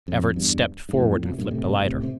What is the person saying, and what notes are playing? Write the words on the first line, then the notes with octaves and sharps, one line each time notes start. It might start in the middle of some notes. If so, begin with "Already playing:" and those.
Everts stepped forward and flipped a lighter.
F2
E2 G2
G2
F2 A2
A#2
C3
G2 A#2
A2 C3
A2 C3
C3